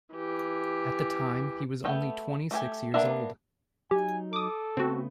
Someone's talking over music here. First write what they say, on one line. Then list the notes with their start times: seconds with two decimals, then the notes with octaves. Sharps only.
At the time he was only twenty-six years old.
0.14 E3 G4
1.85 A3 B3 G5
2.51 A3 G4 G5 G#5
2.94 A#3 B3 D4 A#4 E5
3.91 F#3 D#4 G4 G#5
4.33 A4 D6 D#6
4.77 C#3 A3 B3 C4 F#4